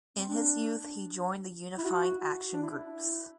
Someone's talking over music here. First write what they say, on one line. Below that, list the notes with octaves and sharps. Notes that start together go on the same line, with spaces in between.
In his youth he joined the Unifying Action Groups.
C4
D4
E4
F#4
D4
E4